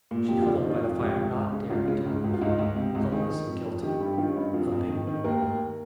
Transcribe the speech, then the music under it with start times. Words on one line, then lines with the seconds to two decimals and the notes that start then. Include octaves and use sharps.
She huddled by the fire not daring to move, helpless and guilty, a big woman.
0.11 A#2
0.28 F2 G4
0.42 F2 F4
0.56 D#4
0.64 D#3
0.70 F4
0.82 F2
0.99 C#2 G4
1.17 C#2
1.35 C#2
1.52 C#3
1.70 C#2 F4
1.88 C#3
2.06 C#2
2.24 C#2
2.34 F4
2.41 C#2 D#4
2.59 C#2
2.76 C3
2.95 C#2
3.12 D#3 G#4
3.30 D#3
3.47 F2
3.65 F2
3.82 D#3 G4
4.00 G2 G4
4.13 G4
4.18 D#3 F4
4.30 C#4
4.36 G2 D#4
4.54 F2 F4
4.72 F2
4.90 D#3
5.07 D#3
5.24 D#2 A#4
5.42 D#2